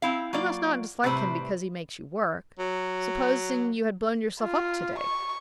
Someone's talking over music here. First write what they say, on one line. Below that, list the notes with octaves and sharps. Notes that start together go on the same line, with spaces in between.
You must not dislike him because he makes you work. Supposing you had blown yourself up to-day!
C4 E4 F5
F#3 A#3 F4 D5
A2 C3 G3 B3 B4 C5
F#3
F4
C#6